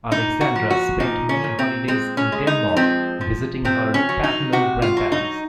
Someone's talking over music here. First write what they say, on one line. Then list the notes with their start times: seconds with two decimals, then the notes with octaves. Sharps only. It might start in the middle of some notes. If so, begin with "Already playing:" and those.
Alexandra spent many holidays in Denmark visiting her paternal grandparents.
0.11 A#2 D#4
0.41 F#4
0.56 F3
0.70 F#4
1.00 A#2 D#4
1.29 C#4
1.44 A#2
1.59 C4
1.88 G#3 C4
2.17 C#4
2.32 G#3
2.47 D#4
2.77 F3 C4
3.21 F3
3.65 C3 C4
3.94 C#4
4.09 F#3
4.24 D#4
4.53 C3 F#4
4.82 F4
4.97 F#3
5.12 D#4